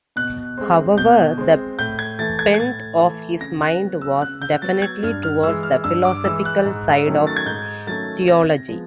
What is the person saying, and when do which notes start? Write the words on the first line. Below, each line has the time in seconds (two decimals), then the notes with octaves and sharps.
However, the bent of his mind was definitely towards the philosophical side of theology.
0.16 B2 F#6
0.58 G#3 C4
0.97 B2 G6
1.38 G#3 C4
1.79 A2 G6
1.99 G#6
2.19 E3 A3 A6
2.39 G#6
2.54 G#6
2.60 A2 A6
3.00 E3 A3
3.41 C#3 A#6
3.61 F#6
3.81 F#3 B3
4.01 E6
4.22 C#3 F#6
4.42 G6
4.62 F#3 B3 A6
4.82 G#6
5.03 G2 F6
5.23 F6
5.43 E3 G#3 E6
5.63 F6
5.84 G2 E6
6.05 D6
6.24 E3 G#3 E6
6.45 F#6
6.65 G#2
7.06 D#3 F#3 A3 C#4
7.27 A6
7.37 G#6
7.46 G#2 G6
7.87 D#3 F#3 A3 C#4 A6
8.27 C3 A#6
8.68 F3 G#3 B3